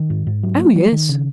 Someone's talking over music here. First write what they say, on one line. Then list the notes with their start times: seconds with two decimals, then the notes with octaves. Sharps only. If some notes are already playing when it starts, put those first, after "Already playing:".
"Oh, yes."
Already playing: D#3
0.10 G#2
0.27 G#2
0.43 F#3
0.59 A#3
0.76 F#3
0.92 D#3
1.09 C#3